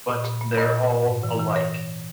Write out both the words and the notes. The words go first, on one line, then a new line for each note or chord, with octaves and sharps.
But they’re all alike.
A#2
A#2
A#2
A#2 D#5
A#2
A#2
G#2
E3
E3
C#5